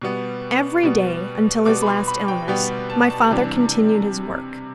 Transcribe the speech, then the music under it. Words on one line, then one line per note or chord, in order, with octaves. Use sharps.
Every day, until his last illness, my father continued his work.
B2 G3 B3
B2 G3 B3
B2 G3 B3 D6
B5
C6
B5
G5
B2 G3 B3 G5
A5
A5
C3 E3 G3 D4